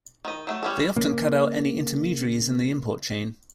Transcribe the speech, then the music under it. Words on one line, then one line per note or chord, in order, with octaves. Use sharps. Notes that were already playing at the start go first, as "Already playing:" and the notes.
They often cut out any intermediaries in the import chain.
D#3 D#5
F#3 A3 A4
G3 C#4 A4
C#3 A#3